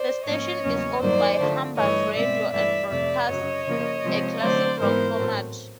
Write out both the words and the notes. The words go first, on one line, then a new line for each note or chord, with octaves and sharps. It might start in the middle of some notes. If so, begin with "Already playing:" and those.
The station is owned by Hubbard Radio and broadcasts a classic rock format.
Already playing: C5 D5
G#2 F3 A#3 C#4 C#5 D#5
E2 C#3 F#3 A#3 C#4
G2 D#3 F#3 A#3 C5 D5
D3 F3 A3
G2 E3 A3 C#5 D#5
B2 G#3 C4 D5 E5
G2 E3 A3 D5 E5
F2 C3 F3 A3 D5 E5
F#2 C#3 F#3 C#5 D#5
C#3 F3 A#3
C3 F3 G#3 C4
D3 F#3 A3 C4 C5 D5
G#2 E3 G#3 B3 A#4 C5
A2 F#3 A3 C4